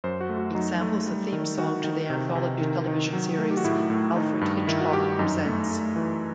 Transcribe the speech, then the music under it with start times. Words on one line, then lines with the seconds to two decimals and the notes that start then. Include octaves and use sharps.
It samples the theme song to the anthology television series "Alfred Hitchcock Presents".
0.04 F#2 C5
0.21 F#4
0.29 A3
0.38 F#4
0.55 F#3 D#4
0.81 A3
1.07 G3
1.33 D#3
1.58 D#3 F#4
1.84 D#3
2.10 C3
2.35 C3
2.61 D#3
2.87 D#3
3.13 F#3
3.39 A3
3.51 G4
3.57 F#4
3.64 A2 E4
3.90 A2
4.16 D#3 D#4
4.41 G2
4.67 D#3 E4
4.80 F#4
4.93 G2 G4
5.18 F#2 D#4
5.45 A3
5.71 A3
5.96 E3